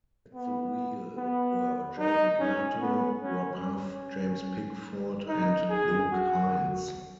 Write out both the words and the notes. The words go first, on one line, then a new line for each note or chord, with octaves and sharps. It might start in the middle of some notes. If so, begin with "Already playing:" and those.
At the wheel were Jason Plato, Rob Huff, James Pickford and Luke Hines.
B3
B3
D#4
C#4
B3
C#4
C#4
D#4
G#4
F#4